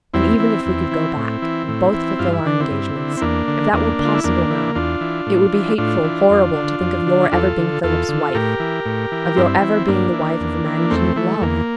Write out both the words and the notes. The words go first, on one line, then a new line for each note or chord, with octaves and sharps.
And even if we could go back, and both fulfil our engagements,--if that were possible now,--it would be hateful, horrible, to think of your ever being Philip's wife,--of your ever being the wife of a man you didn't love.
E2 C4 E4
E3
E2
E3
A2
E3
A2
E3
G2 F4
E4
D3 D4
C4 E4
G2
D3
C4
E2 A#3 D4
D3
E2 A#3 D4
D3
F4
E4
E2 A#3 D4
E3
E2 D4 F4
E3
A2
E3
A2 D4 F4
E3
F2
D3
F2
D3
E2 F4 A4
D3
E2 F4 A4
D3
A2 G4 A#4
E3
A2
E3
G2 C4 E4
E3
G2 A#3 D4
E3
E2
E3
E2 A3 C4
E3 A3
E2 A#3